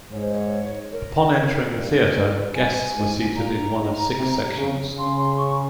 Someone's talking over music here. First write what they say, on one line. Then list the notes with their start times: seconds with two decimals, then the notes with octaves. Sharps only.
Upon entering the theatre, guests were seated in one of six sections.
0.12 G#2 C#5
0.24 C5
0.34 C#5
0.93 A#4
1.74 G2
2.14 G#2
2.55 G2 G#5
2.96 G#2
3.36 A#2 A#5
3.77 G#2
4.17 C3
4.57 C#3
4.97 C#3 C6
5.18 C6
5.38 C#6